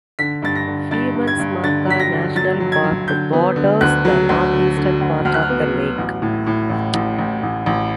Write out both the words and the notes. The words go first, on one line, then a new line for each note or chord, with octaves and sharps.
Femundsmarka National Park borders the northeastern part of the lake.
D3 B6
G2 A6
A#6
D3
G2 A6
G2
G#6
G2
D3 A6
F#3 B6
A#6
D3
F#3 A6
F#3
G#6
F#3
D3 G6
B3
D3
D2 F#6
F#3
D2
D3
D3
D2
D2 F6
F#6
F6
B3
F#3
A1
A2
A2
A1
A1
A1
A1
A1